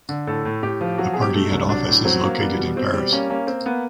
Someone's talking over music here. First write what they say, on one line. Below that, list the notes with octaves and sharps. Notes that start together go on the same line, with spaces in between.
The party head office is located in Paris.
D3
A2 A4
A2
A2 G4
F3
F#3 F#4
B2 G#4
G4
A3
D#4
C2
F#3 D4
A2
F#3 C4
A#3
G3 B3
B2
B2 C4
G3
A#3 C#4
A#3 C#4
A#3 C4
A#3 B3